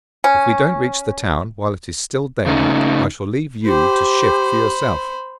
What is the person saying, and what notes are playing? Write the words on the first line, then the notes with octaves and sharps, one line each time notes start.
If we don't reach the town while it is still daylight I shall leave you to shift for yourself.'
C#4
C#3 A3 C#4 D#4
G4 C5 B5